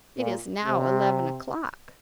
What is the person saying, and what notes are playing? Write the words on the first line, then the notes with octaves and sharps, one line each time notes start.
It is now eleven o'clock.
A#2
C3